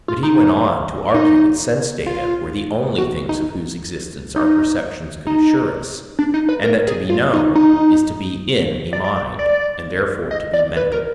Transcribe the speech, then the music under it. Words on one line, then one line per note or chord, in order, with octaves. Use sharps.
But he went on to argue that sense-data were the only things of whose existence our perceptions could assure us; and that to be known is to be 'in' a mind, and therefore to be mental.
F4
D#4
D#4
F4
F#4
D#4
D#4
D#4
D4
D#4
B4
A#4
G#4
F4
D#4
D#4
D5
D5
D5
D5
D#5
D5
B4
A#4